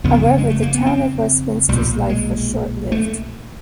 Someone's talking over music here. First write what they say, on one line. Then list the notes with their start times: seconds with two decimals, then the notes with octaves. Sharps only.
However, the Town of Westminster's life was short-lived.
0.04 F#1 F2 C#3 B3
0.14 A#3
0.24 B3
0.38 G#3
0.50 A3
0.63 A#3
0.75 B3
0.86 C4
1.69 B1 A#2 G3
2.10 G#3
2.92 A3